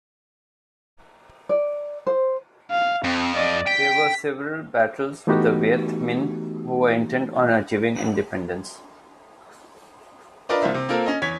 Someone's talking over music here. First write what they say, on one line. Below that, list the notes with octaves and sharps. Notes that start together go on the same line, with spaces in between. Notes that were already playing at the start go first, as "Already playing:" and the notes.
There were several battles with the Viet Minh, who were intent on achieving independence.
D5
C5
F5
F2 C4
D5 D#5
G5 B6
E3 A3 B3 D#4 F#4 G4
D4 F4 A#4 B4 D5 D#5
C2 A#3 F4 C5 E5
C3
A#3 C4 F4 A4 A#4
C#4 D#5
E2 C#5 G#6 B6